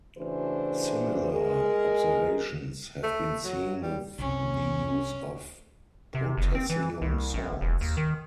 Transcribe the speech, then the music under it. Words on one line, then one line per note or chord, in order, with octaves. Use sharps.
Similar observations have been seen with the use of potassium salts.
C#3 E3 A3 D4 F#4 C5
G#3 G#4 A#4
A3
F#3
G3
C2 F#2 C3 C#4
C3
F#1
C4
E3
C2
A#1
E1
D#2
D#3